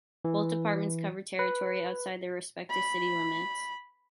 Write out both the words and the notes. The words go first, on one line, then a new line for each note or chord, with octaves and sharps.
Both departments cover territory outside their respective city limits.
E3
B4
B5